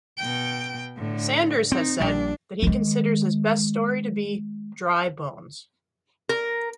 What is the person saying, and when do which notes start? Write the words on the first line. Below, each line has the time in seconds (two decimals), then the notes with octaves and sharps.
Sanders has said that he considers his best story to be "Dry Bones".
0.19 B2 G5
0.96 A2 D3
1.72 C4 D#4
2.00 A#1 A#2 G3 D4
2.62 D#3 G#3
6.29 A#4